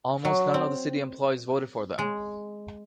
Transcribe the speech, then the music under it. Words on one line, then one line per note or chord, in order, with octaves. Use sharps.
Almost none of the city employees voted for them.
F#3
C4
G#3